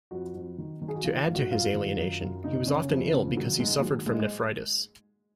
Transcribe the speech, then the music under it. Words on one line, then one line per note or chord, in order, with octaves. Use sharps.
To add to his alienation, he was often ill because he suffered from nephritis.
F2 F#4
F2
D#3
D#3
G#4
F#4
D#3 F4
G#2 F4
F#4
F#2 F4
D#3
F#2
F#2
C#3 D#4
C#3 C#4
F2 F3
C#3 F3
D#3 F#3
G#2 G#3
G#3
D#3 F#3
G#2 G#3